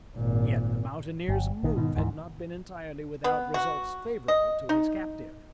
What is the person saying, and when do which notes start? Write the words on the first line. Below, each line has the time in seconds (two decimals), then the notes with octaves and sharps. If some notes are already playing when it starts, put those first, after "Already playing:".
Yet the mountaineer's move had not been entirely without results favorable to his captive.
0.15 G#1 A#2
1.29 G1
1.63 A#1 D#3
1.74 G#2 B2 D#3
1.96 D2 G#2 D#3 E3
3.24 B3
3.54 F#4
4.28 D#5
4.69 D#4